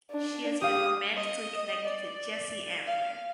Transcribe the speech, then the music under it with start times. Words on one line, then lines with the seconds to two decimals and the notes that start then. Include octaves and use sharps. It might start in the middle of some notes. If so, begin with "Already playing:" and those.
She has been romantically connected to Jesse Antler.
0.12 D4
0.62 G4 F5 D#6
1.16 D#5
1.86 D5
2.86 F5